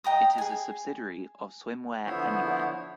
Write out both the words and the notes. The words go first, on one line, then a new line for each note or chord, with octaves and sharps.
It is a subsidiary of Swimwear Anywhere.
D#5 G5 A#5 D#6
G#4 G#5
D3 F3 B3 E4 C5 C#5